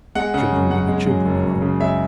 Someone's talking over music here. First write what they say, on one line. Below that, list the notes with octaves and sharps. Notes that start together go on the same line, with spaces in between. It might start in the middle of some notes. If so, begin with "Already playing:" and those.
Children will be children, you know.
G#3 F#5
C#3 F#5
F#2
F#2 F#5
G#3
F#2
F#1
F#2
C#3
G#3 E5